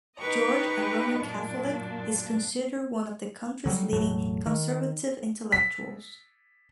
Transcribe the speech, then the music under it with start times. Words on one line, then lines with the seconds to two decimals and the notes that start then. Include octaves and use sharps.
George, a Roman Catholic, is considered one of the country's leading conservative intellectuals.
0.18 D#4 G4 B4 D#5 A#5 C#6
1.18 F#2 A#2 D4
3.66 D3 F#3 G3
3.93 E1 A2 F#3 A3
4.47 D#3
5.52 B6